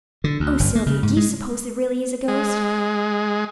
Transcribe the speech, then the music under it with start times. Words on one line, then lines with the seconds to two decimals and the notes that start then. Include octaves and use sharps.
"Oh, Sylvia, do you suppose there really is a ghost?"
0.24 D3
0.40 D2
0.60 G1
0.75 A#3
0.86 C#3
1.03 G#2
1.17 G#3
2.28 G#3